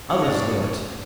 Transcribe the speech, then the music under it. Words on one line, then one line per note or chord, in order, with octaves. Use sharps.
Others know it.
G2 D#3 G#3 C4 C#5
D#5
D4 D5
C#5